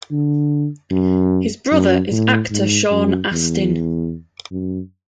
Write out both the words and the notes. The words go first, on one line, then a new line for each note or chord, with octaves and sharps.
His brother is actor Sean Astin.
D3
F#2
F#2
A2
G#2
F#2
E2
F#2